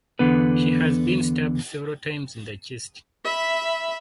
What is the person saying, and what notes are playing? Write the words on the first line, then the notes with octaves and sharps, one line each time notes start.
She had been stabbed several times in the chest.
E2 D3 B3 B4
E5 B5